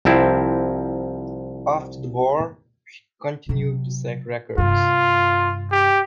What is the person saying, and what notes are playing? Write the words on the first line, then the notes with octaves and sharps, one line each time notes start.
After the war, she continued to set records.
C2 F3 C4 E4
C3 F#3
G2 C3 F4
G4